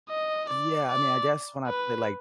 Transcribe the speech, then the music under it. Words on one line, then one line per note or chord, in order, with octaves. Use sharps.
Yeah, I mean, I guess when I play, like,
D#5
D5
D5
B4